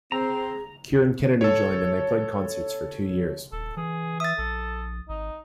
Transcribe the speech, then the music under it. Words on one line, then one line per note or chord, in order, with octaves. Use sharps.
Kieran Kennedy joined and they played concerts for two years.
C4 G#4 A#5
A4 C#5
D#1 A4
E3 G#4
E5 D#6 A6
A#1 A4
G#1 D#4